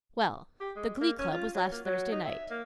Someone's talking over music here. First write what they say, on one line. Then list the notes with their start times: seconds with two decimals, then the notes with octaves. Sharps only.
"Well--the glee club was last Thursday night."
0.60 G4
0.76 G#3
1.01 A#3
1.19 C#4
1.32 F4
1.55 F#3
1.72 A#3
1.86 F#3
2.12 D#4
2.26 E5
2.50 A#3